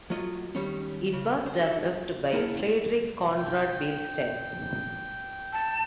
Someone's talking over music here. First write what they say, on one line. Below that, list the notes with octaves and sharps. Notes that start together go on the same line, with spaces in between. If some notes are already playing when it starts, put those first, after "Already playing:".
It was developed by Friedrich Konrad Beilstein.
F#3 A3 F4 D#5
D#3 G3 C#4
C#3
C5
F#4 A4 E5
A#3 E4 A#4 F#5 G#5 A5
G5
A5